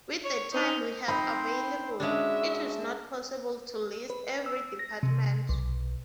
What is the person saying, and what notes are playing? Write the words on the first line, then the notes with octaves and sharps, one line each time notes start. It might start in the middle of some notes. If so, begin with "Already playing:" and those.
With the time we have available, it is not possible to list every department.
C#5
C4 D#4
C4 D#4 C5 B5 C6
G#3 C#4 D4 F#4 E5
B4
E6
A#6
C3
B1